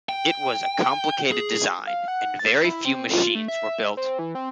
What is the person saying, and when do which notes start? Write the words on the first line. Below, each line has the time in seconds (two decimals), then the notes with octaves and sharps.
It was a complicated design and very few machines were built.
0.09 G5
1.32 G#4
1.87 F5
2.08 F#5
2.39 A6
2.65 E4
2.85 C4
3.13 F4
3.35 A3
3.48 E5
3.97 C4
4.19 E3
4.35 C4